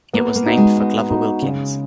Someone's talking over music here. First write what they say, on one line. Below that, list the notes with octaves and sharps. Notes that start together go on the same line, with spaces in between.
It was named for Glover Wilkins.
A#3 B3
A#3
D#4 F#4
G#3
B3
D#4 F#4
C#3